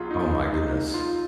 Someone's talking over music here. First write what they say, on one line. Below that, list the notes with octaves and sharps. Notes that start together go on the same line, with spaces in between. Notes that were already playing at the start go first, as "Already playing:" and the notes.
Oh my goodness.
Already playing: B1 F#3 F4 G#4
D#4
D#4
F4